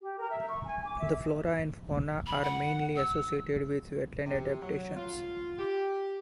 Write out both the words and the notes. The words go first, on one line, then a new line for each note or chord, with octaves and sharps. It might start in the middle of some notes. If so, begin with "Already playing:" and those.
The flora and fauna are mainly associated with wetland adaptations.
G4
A#4
E5
C#6
G#5
D6
E5
B5
F#5
E6
C3
F#3
F4
G4